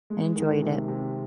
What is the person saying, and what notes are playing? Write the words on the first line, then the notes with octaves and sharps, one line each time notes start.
I enjoyed it.
G#3
D#3
C3
C3